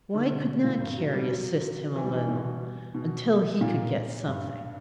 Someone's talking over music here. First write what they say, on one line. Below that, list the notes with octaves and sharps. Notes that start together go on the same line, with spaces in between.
Why could not Carrie assist him a little until he could get something?
D3
B2
A#2
G2
F#3
G3
F#3
E3
G3
E3
B2
B2
A#2
G2